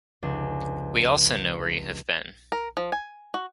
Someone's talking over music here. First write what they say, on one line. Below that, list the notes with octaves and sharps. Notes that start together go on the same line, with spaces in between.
We also know where you have been.
F1 C#2 D4 G#5
A#4
F3
G#5
F#4